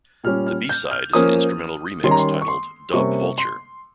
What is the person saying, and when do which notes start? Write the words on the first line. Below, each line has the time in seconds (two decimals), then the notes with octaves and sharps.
The B-side is an instrumental remix titled "Dub-vulture".
0.24 A#2 G3 C#4 F6
0.47 F6
0.69 G6
0.91 F6
1.13 F3 A#3 C#4 D#6
2.04 D#3 G3 C#4 C6
2.11 A#5
2.19 C6
2.42 C#6
2.48 C6
2.93 C3 G3 A#3 C#4 C#6
3.38 C6